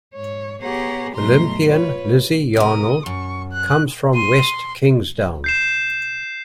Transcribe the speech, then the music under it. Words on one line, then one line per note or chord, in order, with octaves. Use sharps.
Olympian Lizzy Yarnold comes from West Kingsdown.
G#2 C#5
B3 G4 G#4 C#5 F#5 A#5
G2 B2 F#3 A3 A#5 C6
F4 B4 C#5
C3 A#4 D#6
F#2 C#6
F#6
C6 D#7
G6 C7 E7